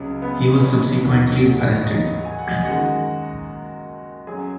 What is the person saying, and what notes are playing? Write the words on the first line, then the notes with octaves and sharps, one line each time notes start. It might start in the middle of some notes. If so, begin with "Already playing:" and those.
He was subsequently arrested.
Already playing: C#2 C#3 F#3 G#3 G#4
B3 B4
B4
C#4 C#5
D#2 D#3 F#3
F#4
G#4
B4
C#5
D#4 D#5
G#5
F#5
D#5
F#2 D#3 G#3 F#4 F#5
F#2 F#3 G#4 G#5